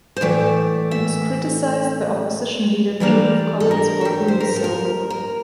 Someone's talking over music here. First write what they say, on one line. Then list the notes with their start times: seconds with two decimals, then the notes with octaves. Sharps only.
He was criticised by opposition leader Judith Collins for doing so.
0.16 C5
0.21 A2 E3 A3 D5
0.91 E5
3.00 E3 G3 A#3 D4 D5
3.60 A4
3.71 A#4
4.01 A4
4.05 G4
4.28 C5
4.40 A#4
4.56 A4
4.64 A#4
5.10 A#4